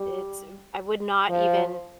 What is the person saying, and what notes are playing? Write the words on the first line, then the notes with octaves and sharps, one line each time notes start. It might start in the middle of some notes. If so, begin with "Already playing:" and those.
it's I would not even
Already playing: G3
F3